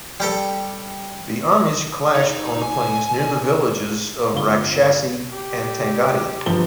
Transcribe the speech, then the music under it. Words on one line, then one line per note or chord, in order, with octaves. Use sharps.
The armies clashed on the plains near the villages of Rakshasi and Tangadi.
G3 G4 A4
D#4
G#5
G1 F4 G7
G4
G1 F3 G7